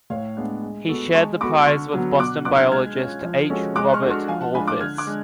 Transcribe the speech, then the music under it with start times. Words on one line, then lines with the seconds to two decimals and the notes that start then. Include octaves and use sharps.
He shared the prize with Boston biologist H. Robert Horvitz.
0.10 A2 C#5 F5
0.37 G#3 B3 D4
0.62 G#3
0.89 B3 F#4 A4
1.14 G#3 A5 C#6
1.41 B3 F#4 A4 B5 D6
1.67 D3 C#6 F6
1.94 F#3 B3
2.19 B2 D6 F#6
2.45 F#3 B3 D4 F4 D6 F#6
2.58 F6 G#6
2.71 G#3 F6 G#6
2.97 C#4 F4
3.24 F3
3.50 G#3 C#4 F#4 A4
3.75 G#3 D6 F#6
3.94 C#6 F6
4.02 D4 F#4 A4
4.11 C#6 F6
4.28 F3 F5 G#5
4.41 F#5 A5
4.54 G#3 D4 F4 G#5 B5
4.67 D6 F#6
4.80 D3 F6 G#6
4.98 D6 F#6
5.07 G#3 D4